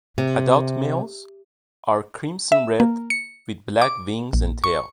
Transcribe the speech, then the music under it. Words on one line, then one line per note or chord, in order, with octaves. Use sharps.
Adult males are crimson-red with black wings and tail.
C3
E5
A#3
C#7
D6
A#1
C#6